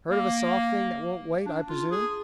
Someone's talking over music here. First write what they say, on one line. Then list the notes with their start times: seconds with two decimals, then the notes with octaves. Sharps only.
Heard of a soft thing that won't wait, I presume?
0.10 A#3
1.46 D4
1.69 F4
1.91 G#4